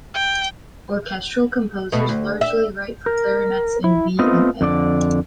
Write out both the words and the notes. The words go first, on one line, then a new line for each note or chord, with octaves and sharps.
Orchestral composers largely write for clarinets in B and A.
G5
B2 A3
D2
E5
A#4
E4
A3 B3 C4 F4 D#5
F2 D3 D5